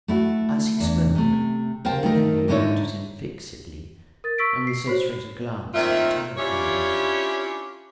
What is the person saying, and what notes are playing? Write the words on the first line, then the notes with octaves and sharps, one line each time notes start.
As he spoke, Olivier looked at him fixedly, and with so straight a glance that he terrified him.
A3 E4 F#4
E2 D4
C3 A3
A#4 C5 F5 G5 A5
D#3 A3 A#4
G#2 D3 C#4 D#4 E4 C#5
A#4 A6
C#6 E6 B6 D7
C7
F#4 C5 C#5
A#2 D#3 A3 C4 F4 E5
C#4 D4 E4 F4 G4 C#5